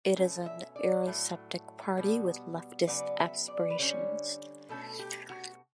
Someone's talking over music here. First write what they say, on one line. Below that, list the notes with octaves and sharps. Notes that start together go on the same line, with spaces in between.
It is an eurosceptic party with leftist aspirations.
B2 A3 C#4
E5
D5
A2 F#3 A3
B2 G3 B3
C#3 F#3 B3 D5
E5
D5
B4
D3 G3 C#4 C#5
B2 A3 C#4 A4
G4
F#4